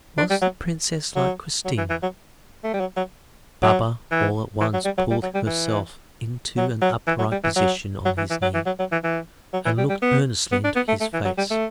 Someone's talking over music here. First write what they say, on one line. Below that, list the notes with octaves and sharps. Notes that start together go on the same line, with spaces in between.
"Was the princess like Christina?" Baba all at once pulled herself into an upright position on his knee, and looked earnestly into his face.
D4
G3
F#3
F#3
F#3
E3
E3
F#3
A3
G3
F#3
F#3
F#3
E3
E3
F#3
G3
F#3
G3
F#3
G3
E3
F#3
F#3
E3
F#3
G3
E3
F#3
F#3
E3
E3
F#3
E3
F#3
F#3
E3
E3
F#3
E3
G3
G3
B3
B3
D4
B3
A3
A3
E3
F#3
G3
A3